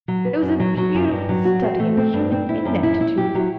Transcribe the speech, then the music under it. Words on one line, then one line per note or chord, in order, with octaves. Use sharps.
It was a beautiful study in human ineptitude.
F#3
B4
F#2
F#3
F#3
F#2
G2
F#3
F#4
C4
A3
C4
G2
C4
E4
F#2
E4
E4
G4
F#3